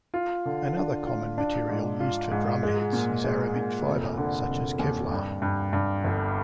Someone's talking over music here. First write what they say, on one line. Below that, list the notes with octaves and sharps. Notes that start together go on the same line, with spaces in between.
Another common material used for drumheads is aramid fiber, such as kevlar.
F4
D3
D4
F4
D4
G#2
F4
G#2
G#3
A#2
G#3
A#2
F1
D3
F1
D#2
G2
G2
G2
G1